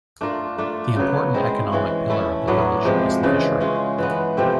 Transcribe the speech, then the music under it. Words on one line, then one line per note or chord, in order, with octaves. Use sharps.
The important economic pillar of the village is the fishery.
A3 D4 F4 A#4
A3 D4 F4
C#3 F#3 B3
G#3 C4 E4 G#4
E3 G#3 C#4
A3 C#4 E4 A4
A2 F#3 B3 D4
C3 F3 G#3
C#3 E3 G#3
G#3 C#4 F4
E3 G#3 B3
C3 F3 A3 C4